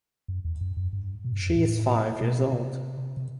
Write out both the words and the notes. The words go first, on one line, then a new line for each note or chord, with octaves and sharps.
She is five years old.
F#2
E2
F#2
F#2
G2
B2
G2
F#2
E2
A2
B2
C3
C3